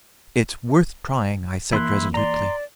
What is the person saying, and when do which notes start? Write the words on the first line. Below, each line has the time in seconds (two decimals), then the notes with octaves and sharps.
"It's worth trying!" I said resolutely.
1.73 E3 A#3 E4 C6 F#6
2.14 D5 A#5 C6